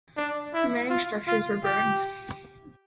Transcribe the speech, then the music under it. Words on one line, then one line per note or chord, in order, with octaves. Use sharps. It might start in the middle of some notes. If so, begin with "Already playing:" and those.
Remaining structures were burned.
D4
E4
F4
F4
G4